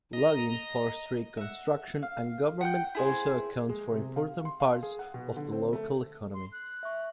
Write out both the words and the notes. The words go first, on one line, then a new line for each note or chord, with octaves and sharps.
Logging, forestry, construction and government also account for important parts of the local economy.
D#5 A#5
E5 F#5
F5
F#5 G5 G6
E4 G#4 C5
G#3
C3
F5
C6
F5
G#4
F#5
B2
D3
C4
A3
C6
F#6
E5 C#6